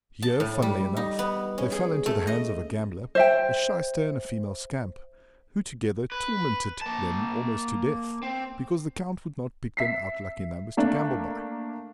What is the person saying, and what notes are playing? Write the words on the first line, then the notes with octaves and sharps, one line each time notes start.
Here, funnily enough, they fell into the hands of a gambler, a shyster, and a female scamp, who together tormented them almost to death, because the Count would not pick them out lucky numbers to gamble by.
A5
A2
G3
D#4
B3
C#4
G#4
A3
D#5
C5 E5 G5
B4
A#3 A5
C4
E5 B6 C7
A3 A#3 D4